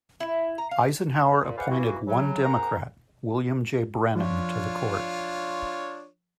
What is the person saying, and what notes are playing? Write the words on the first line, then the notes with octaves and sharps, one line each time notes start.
Eisenhower appointed one Democrat, William J. Brennan, to the Court.
E4
A#5
F5
A#2
G#4 B4 C5 D5 F5 F#5
E3 A#3 F#4
C#3 F#3
G#4 A#4 C5 F#5 A#5
F3 D4 F4 C#5